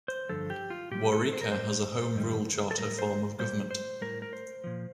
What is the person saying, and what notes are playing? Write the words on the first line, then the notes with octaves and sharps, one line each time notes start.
Waurika has a home rule charter form of government.
C5
G2 D3 F3 A4
G4
F4
A#2 G3 G4
A4
C5
A#4
A2 G3 C5
G2 D#3 G3
A4
A2 G3 A#4
C5
A#2 G3 C5
C5
A2 G3 A#4
A#4
C5
A#2 F3